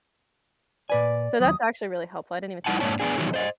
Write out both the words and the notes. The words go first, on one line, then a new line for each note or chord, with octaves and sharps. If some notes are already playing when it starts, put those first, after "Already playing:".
So, that's actually really helpful, I didn't even think about that before.
A#2 B4 D5 G#5
D#2 F#3 D#6
G3 D#4 E4 F#5 A5
G#2 D#3 A#3 D4 C#5 A5
B3 D4 G#4
B2 D#3 E3 F#3 G3 A3
C5 D#5